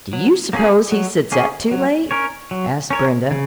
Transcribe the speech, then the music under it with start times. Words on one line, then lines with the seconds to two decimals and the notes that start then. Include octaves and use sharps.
"Do you suppose he sits up too late?" asked Brenda.
0.13 F#3
0.53 A#3 C#4 G#4
0.92 F#3
1.32 A#3 C#4 G#4
1.71 F#3
2.11 C#4 A#4 C#5
2.51 F#3
2.90 C#4 A#4 C#5
3.31 C#3